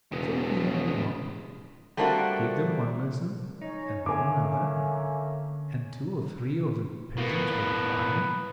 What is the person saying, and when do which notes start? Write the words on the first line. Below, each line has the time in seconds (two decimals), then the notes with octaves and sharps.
So he had them up, gave them one lesson, and then another, and two or three of the peasants were fined.
0.12 E1 C#3 B3
1.97 G3 A3 A#3 C4 D4 F#4
3.62 C#4 D#4 C#5
4.06 D3 A3 A#3 C#4 G#5 D6
7.17 A2 A#3 B3